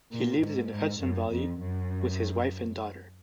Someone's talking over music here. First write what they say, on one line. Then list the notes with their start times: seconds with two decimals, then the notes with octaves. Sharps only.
He lives in the Hudson Valley with his wife and daughter.
0.11 A#2
0.40 G#2
0.71 G#2
1.01 F#2
1.30 F2
1.60 F#2